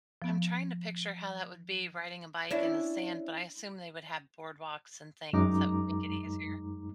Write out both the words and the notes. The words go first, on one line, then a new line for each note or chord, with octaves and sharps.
I'm trying to picture how that would be riding a bike in the sand, but I assume they would have boardwalks and things that make it easier.
F3 B3
C#4 D4 E4
F#2 G#3 D#4 A#5 D6